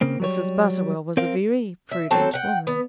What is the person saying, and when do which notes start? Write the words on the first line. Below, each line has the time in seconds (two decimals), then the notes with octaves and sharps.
Mrs. Butterwell was a very prudent woman.
0.01 C#3 A#3 C4
0.20 F#3 G3 C#5
1.17 C4 A#4 C5 F5
1.92 E5
2.11 F#3 C4 A4
2.33 F#5 G5
2.67 B3